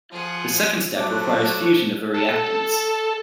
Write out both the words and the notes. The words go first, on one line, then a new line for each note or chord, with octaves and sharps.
The second step requires fusion of the reactants.
F3 F4 G#4 F#5
F#3 A3 C5 A5 D6 F#6
A4